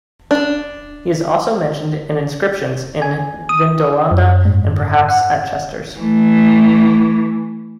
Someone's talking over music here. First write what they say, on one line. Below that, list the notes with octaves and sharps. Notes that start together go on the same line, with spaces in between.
He is also mentioned in inscriptions in Vindolanda and perhaps at Chesters.
D4
G#5
D#6
F#2
G#2
F#5
E3 A3